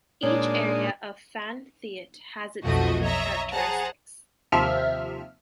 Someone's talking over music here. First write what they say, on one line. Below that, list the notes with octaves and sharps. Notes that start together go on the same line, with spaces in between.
Each area of Phan Thiet has its own characteristics.
A#2 G#3 D4 D#4 C#5 G#6
B1 F2 F3 A3 F#4 D#5
C#5 D#5 E5 A#5
G#4 C5 F#5 A5 A#5
D#2 C3 F3 E5 F6